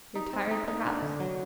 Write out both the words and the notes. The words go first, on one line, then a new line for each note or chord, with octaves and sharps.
You're tired perhaps?
D#4
C4
D#4
D#4
D4
D3
F#3